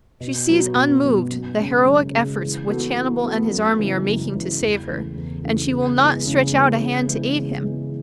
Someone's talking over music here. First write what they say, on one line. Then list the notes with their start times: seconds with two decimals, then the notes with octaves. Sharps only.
She sees unmoved the heroic efforts which Hannibal and his army are making to save her, and she will not stretch out a hand to aid him.
0.20 B2
0.49 F#3 B3 F#4
0.75 B2
1.04 F#3 B3 F#4
1.30 F#2
1.58 C#3 G#3 C#4
1.86 F#2
2.13 C#3 G#3 C#4
2.41 E3
2.68 B3 F#4 A4
2.95 E3
3.23 B3 F#4 A4
3.51 F#2
3.77 C#3 E3 G#3
4.06 F#2
4.33 C#3 E3 G#3
4.60 E2
4.88 C#3 E3 A3
5.16 E2
5.43 C#3 E3 A3
5.70 C#3
5.98 E3 G#3 B3
6.26 C#3
6.52 E3 G#3 B3
6.79 C#3
7.08 E3 G#3 B3
7.35 C#3
7.63 E3 G#3 B3